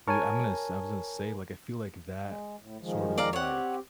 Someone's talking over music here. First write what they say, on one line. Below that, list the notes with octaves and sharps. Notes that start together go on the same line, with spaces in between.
Yeah, I'm gonna s I was gonna say, like, I feel like that sort of, like,
A#4 C#5 G#5 A5 C#6
G#3
A2
D#3 F3 G#3
D5 F5 A#5
C4 G4 C#5 F#5